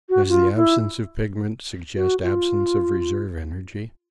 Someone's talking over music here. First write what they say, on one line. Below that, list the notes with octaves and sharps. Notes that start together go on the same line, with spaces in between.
Does the absence of pigment suggest absence of reserve energy?
F#4
F4
E4
F#4
F4